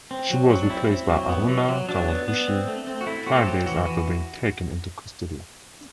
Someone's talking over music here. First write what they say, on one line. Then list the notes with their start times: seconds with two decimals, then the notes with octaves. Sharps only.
She was replaced by Haruna Kawaguchi five days after being taken into custody.
0.11 C4
0.30 F#3
0.50 F#3
0.63 D4
0.70 C4 E4
0.90 C4
1.10 F#3
1.29 B3
1.49 F#3
1.68 F#3
1.89 F#3 D4
2.08 B3
2.28 B3
2.48 C4
2.68 A3
2.87 C4
3.01 F#4
3.07 A3 E4
3.27 C4 F#4
3.42 A4
3.46 F#3 G4
3.66 E3 F#4
3.86 E3